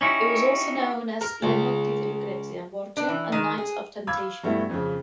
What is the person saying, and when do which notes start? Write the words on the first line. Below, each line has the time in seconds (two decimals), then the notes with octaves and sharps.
It was also known as Le notti di Lucrezia Borgia and Nights of Temptation.
0.01 C#4 D#4 E4 F#4 G4
1.21 A#4
1.43 C#2
2.97 D4
3.09 E3
3.32 D#3
3.58 G#4
4.07 F5 B5 D6 E6 G#6
4.44 G2 B2 A3 B3 E4
4.70 F2 C#3